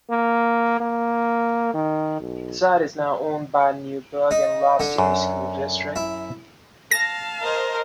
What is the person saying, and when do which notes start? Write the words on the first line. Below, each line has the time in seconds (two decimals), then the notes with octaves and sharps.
The site is now owned by the Newburgh Enlarged City School District.
0.10 A#3
0.80 A#3
1.74 D#3
2.20 B1
4.31 D#4
4.80 D3
4.98 F#2
5.96 E4
6.91 F5 A5 A#6
7.42 A#4 C5 D#5